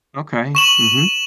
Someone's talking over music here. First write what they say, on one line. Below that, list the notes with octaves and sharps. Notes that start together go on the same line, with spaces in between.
Okay. Mhm.
C#6 E7 F#7